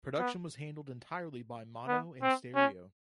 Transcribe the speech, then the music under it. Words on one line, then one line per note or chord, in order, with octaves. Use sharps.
Production was handled entirely by Mono En Stereo.
B3
B3
C4
C#4